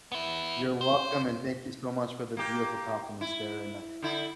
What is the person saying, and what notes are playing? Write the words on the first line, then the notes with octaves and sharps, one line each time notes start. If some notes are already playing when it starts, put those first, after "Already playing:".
You're welcome and thank you so much for the beautiful compliments there, and, uh,
B3 E4
C5
A#3 G4
E4
D3 E4